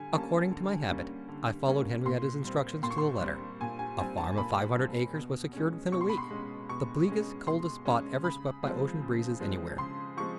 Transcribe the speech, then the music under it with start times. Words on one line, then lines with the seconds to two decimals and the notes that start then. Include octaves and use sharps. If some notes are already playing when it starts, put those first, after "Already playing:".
According to my habit I followed Henriette's instructions to the letter. A farm of five hundred acres was secured within a week, the bleakest, coldest spot ever swept by ocean breezes anywhere.
Already playing: D3 G3 G#5
0.12 G3 A#3 C#4 A5
0.51 D3
0.90 G3 A#3 C#4
1.28 D3
1.67 G3 A#3 C#4
2.06 A#2 C6
2.44 G3 C4
2.83 A#2 C6
2.91 C#6
2.98 C6
3.21 G3 C4
3.61 A#2 G#5
3.79 G#5
3.99 G3 C4 G#5
4.18 A5
4.38 A#2 B5
4.76 G3 C4
5.14 B2
5.53 G#3 C#4
5.92 B2 C#6
6.01 C6
6.09 B5
6.18 C6
6.31 G#3 C#4
6.69 B2 C#6
7.08 G#3 C#4
7.47 B2 C6
7.85 G#3 C#4
8.24 C#3 B5
8.63 F3 G#3 C4
9.02 C#3
9.40 F3 G#3 C4
9.78 C#3 C6
10.17 F3 G#3 C4 C#6